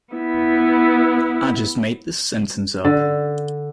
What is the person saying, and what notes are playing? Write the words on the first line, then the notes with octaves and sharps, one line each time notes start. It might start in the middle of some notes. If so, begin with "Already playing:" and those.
I just made this sentence up.
B3 E4
D3